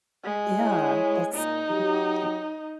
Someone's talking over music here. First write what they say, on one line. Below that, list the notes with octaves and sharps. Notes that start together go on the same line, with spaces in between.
Yeah, that's interesting.
G#3
E4 C#5
A#2 D#4
F#3 G4